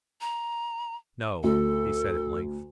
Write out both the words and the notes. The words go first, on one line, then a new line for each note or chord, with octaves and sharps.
"No," he said at length.
A#5
D2 A4